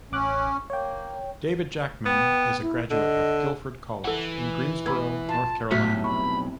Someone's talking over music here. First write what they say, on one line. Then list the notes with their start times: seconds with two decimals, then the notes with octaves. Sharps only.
David Jackman is a graduate of Guilford College in Greensboro, North Carolina.
0.12 A1 C#4 D6 F#6
0.70 A#3 C#5 G5
2.06 B3 G5
2.62 E4
2.91 D3 D#5
4.04 E3 A4 F#5
4.86 B3 B5 E6 G#6
5.29 F4 A5
5.71 B1 F2 A2 C3 A3 F#4 B6 C#7
6.04 B5 C#6